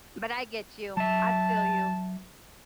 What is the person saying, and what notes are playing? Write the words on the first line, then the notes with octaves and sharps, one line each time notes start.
But I get you, I feel you.
F#3 E5 A5